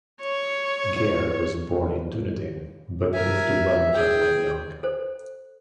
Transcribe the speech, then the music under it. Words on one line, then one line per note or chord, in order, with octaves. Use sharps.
Gair was born in Dunedin, but moved to Wellington when young.
C#5
A#4 E5 G#5
G#4 G5
A4 C5